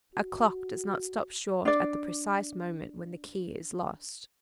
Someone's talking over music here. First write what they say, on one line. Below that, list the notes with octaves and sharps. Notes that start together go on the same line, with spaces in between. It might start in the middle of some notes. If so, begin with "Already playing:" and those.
A clock does not stop short at the precise moment when the key is lost.
F#4
D4 D5